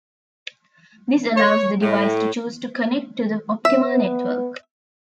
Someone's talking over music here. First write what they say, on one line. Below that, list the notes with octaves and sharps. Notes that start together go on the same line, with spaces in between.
This allows the device to choose to connect to the optimal network.
C#5
A2
B3 E5